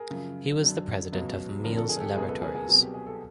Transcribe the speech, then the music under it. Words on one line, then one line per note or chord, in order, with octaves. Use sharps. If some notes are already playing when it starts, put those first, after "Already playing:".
He was the president of Miles Laboratories.
Already playing: G#4 A#4
F#2 C#3 F3
F#2 D3 F#3
C#2 B2 F#3
F2 D3 F3 A#4
A4
G#4
G4 A4
C#2 B2 F#3 G#4 A#4
A4 B4
G#4 A#4
G#4 A#4
C2 B2 F#3
G4
G#4
A4